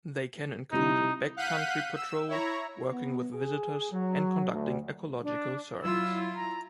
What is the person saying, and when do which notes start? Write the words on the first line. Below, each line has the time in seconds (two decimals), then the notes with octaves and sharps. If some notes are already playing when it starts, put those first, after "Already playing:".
They can include backcountry patrol, working with visitors, and conducting ecological surveys.
0.73 C3 G3 D#4 E4
1.37 F5 F#5 F#6 G6 B6 D#7
1.96 E6
2.28 E4 C#5 A#5
2.91 B3
3.34 G#4
3.92 F#3
4.52 D2
5.23 D4
5.82 F#3 E4 F4 E6
6.35 A#5